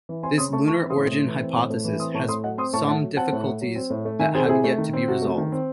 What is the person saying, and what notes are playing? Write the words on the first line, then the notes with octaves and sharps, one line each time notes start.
This lunar origin hypothesis has some difficulties that have yet to be resolved.
E3
C4 G#5 C6
C#3 C6 D#6
A3 A5 C#6
E3 A5 C#6
C4
C6 D#6
A2
A3
E3
C4
A2
A3
E3
C4 C6 D#6
A2 A5 C#6
A3 C6 D#6
F#3 D#5 F#5
C4 C6 D#6
A2 A5 C#6
A3 F#5 A5
F#3
C4 F#5 A5
A2
A3
F#3
C4
A2
A3
D#3 E5 G#5
C4 G#4 C5
A4
C3 E4 G#4
A3
D#3
C4
C3 F#4
A3
D#3
C4